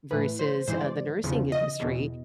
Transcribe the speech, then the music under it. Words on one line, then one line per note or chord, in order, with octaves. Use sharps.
versus, uh, the nursing industry,
A2 E3 B4
C5
G#2 E3 C5
D5
E2 C#3 F3
D#5
E2 B2